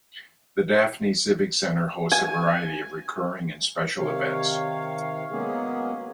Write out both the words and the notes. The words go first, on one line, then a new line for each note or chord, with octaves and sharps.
The Daphne Civic Center hosts a variety of recurring and special events.
G#5
C3 D#3 C#5 F5
F#3 G#3 A#3 B3 C#4 G#4